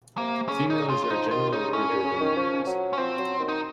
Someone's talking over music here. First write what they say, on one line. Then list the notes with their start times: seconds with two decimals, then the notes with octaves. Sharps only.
Females are generally larger than the males.
0.18 C3 A#3
0.48 C#3 C#4
0.70 D#4
0.79 C#3
0.89 F4
1.04 F4
1.10 F3 D#4
1.31 D#3 F4
1.52 C#3 D#4
1.73 A2 C#4
1.89 A#2
2.04 C#3
2.20 D#3
2.36 F3
2.67 F#3
2.93 C#4
2.98 F3 C4
3.18 F#3
3.39 D#3
3.48 D#4